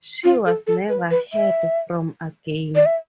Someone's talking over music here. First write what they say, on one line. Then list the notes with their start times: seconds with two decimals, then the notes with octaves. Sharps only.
She was never heard from again.
0.24 F4
0.46 A4
0.67 A4
0.89 B4
1.11 B4
1.33 E5
2.76 D5
2.86 E5